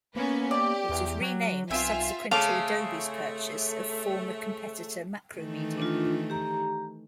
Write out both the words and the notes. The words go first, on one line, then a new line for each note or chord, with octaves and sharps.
It was renamed subsequent to Adobe's purchase of former competitor Macromedia.
A#3 B3 C#4 B4
G4 D5
E2
F#3
B1 C4 F4 E5 G#5
C#3 A3 C4 F5 A5 D6
D#3 E3 A3
D4 F4
G4 A#5